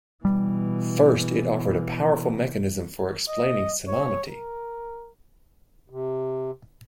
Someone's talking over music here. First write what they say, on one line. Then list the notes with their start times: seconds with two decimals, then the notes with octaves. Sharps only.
First, it offered a powerful mechanism for explaining synonymity.
0.25 B2 E3 G3
3.28 D#5
3.88 C#5
4.29 A#4
5.90 C3